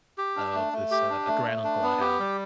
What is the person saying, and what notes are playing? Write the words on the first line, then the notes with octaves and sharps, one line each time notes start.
of this, uh a granduncle I had,
G4
D4
A3
A3
G4
D4
A3
A3
D4
B3
G4
G3